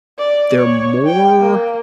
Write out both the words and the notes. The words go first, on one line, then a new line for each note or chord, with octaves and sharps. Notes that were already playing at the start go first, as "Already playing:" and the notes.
they're more
D5
C#5
G5
A#3